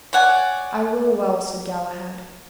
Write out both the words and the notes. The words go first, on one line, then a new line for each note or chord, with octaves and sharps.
I will well, said Galahad.
C#5 D5 F#5 G#5